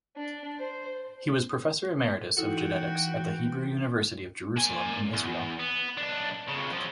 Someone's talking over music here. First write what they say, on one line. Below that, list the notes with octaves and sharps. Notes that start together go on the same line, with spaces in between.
He was professor emeritus of genetics at the Hebrew University of Jerusalem in Israel.
D4
C5
E3 D#4 E4 F#4 A4 G5
A#3 G#5
E2
B3
B1 D4
F2 C#3
F3 F#3